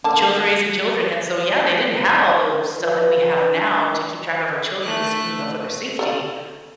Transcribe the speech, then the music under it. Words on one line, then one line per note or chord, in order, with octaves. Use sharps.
children raising children, and so, yeah, they didn't have all the stuff that we have now to keep track of our children s you know, for their safety,
D3 A#3 A5
F3 B4
D4
A3 F#6
A4 D5 F5